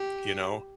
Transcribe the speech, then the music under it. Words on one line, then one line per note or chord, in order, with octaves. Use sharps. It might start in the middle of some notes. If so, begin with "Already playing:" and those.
you know?
Already playing: G4